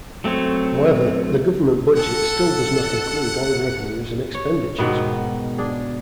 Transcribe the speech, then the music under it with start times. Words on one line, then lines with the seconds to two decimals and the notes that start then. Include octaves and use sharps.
However, the government budget still does not include all revenues and expenditures.
0.24 F#3 A3 C4 C#5
1.96 A4 F#5
4.34 C#5
4.78 G#2 B2 D#3 B3
5.58 D4 G#4